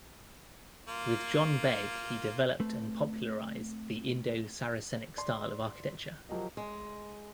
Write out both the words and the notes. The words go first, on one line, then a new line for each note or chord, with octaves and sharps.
With John Begg he developed and popularised the Indo-Saracenic style in architecture.
A#3 F4
A3 C4 A4 B4
D5 C6
F3 F#3 G4 A#4 D#5
G#3